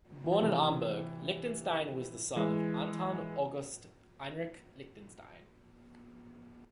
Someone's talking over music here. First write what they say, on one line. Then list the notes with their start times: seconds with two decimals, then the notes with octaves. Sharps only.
Born in Hamburg, Lichtenstein was the son of Anton August Heinrich Lichtenstein.
0.24 E3
0.32 F3
0.41 C3 E3
2.36 E3 G#3